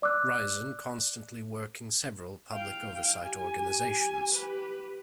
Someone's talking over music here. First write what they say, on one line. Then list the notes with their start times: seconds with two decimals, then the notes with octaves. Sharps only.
Ryazan constantly working several public oversight organizations.
0.02 D5 D6 E6 F#6
2.52 F5 G5
3.23 G4 G#5
4.35 G4 B4